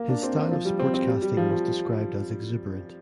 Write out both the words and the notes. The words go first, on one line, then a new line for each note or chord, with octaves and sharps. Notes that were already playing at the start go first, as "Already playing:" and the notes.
His style of sportscasting was described as exuberant.
Already playing: A#3
D4
C4
A#3
F3
G3
C4
C4
G3
G3
F3
F3